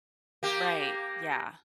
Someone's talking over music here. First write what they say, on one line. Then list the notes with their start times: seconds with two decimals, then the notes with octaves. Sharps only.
Right, yeah.
0.43 A#3 G4